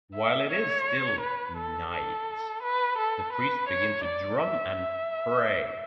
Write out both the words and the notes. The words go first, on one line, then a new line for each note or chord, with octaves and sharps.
While it is still knight, the priest begins to drum and pray.
E5
C#5
B4
A4
A4
B4
A4
B4
C#5
D5
E5
E5